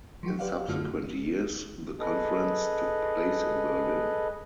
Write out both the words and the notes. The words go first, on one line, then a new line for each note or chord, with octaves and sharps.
In subsequent years the conference took place in Berlin.
F3 F#3 F#4 G4
G4 B4 D5 F5 F#5
F#2 D3 A3 F4 F#4 F6
G#4 A4 B4 D#5